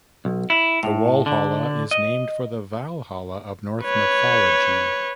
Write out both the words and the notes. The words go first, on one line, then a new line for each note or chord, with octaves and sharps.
The Walhalla is named for the "Valhalla" of Norse mythology.
B1
E4
A2
D3
D#5
B4 C#5